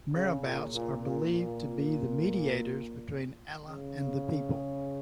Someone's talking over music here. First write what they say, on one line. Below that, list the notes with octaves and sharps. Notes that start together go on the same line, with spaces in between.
Marabouts are believed to be the mediators between Allah and the people.
C#3
A#2
A#2
A#2
A#2
C#3